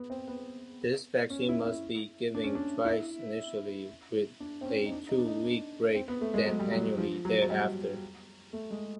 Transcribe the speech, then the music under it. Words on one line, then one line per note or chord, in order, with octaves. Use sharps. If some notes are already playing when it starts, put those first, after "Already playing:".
This vaccine must be given twice initially with a two-week break, then annually thereafter.
Already playing: B3
C4
B3
C#4
E4
E4
D4
C#4
D4
E4
D4
C4
C#4
D#4
D4
D#4
D4
D#4
D4
C4
B3
A3
G#3
F#3
G3
F#3
F3
F#3
F#3
G3
A3
G#3